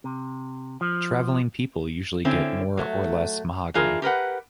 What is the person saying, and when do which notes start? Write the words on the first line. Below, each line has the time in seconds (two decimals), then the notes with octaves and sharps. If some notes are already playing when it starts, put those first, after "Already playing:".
Travelling-people usually get more or less mahogany.
0.04 C3
0.81 F3
2.25 D3 C4 C#4 E4
2.77 F#3 A3
3.74 E3 D4 F4 G#4 A#4
4.02 G4 A#4 B4 F#5